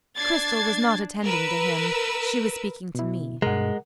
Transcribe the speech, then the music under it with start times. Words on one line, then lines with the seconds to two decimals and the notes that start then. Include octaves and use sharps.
Cristel was not attending to him, she was speaking to me.
0.18 D4 G#6 A6 C7
1.25 A#4 B4 E6
2.95 B2 E4
3.42 G2 B2 G#3 A#4 F#5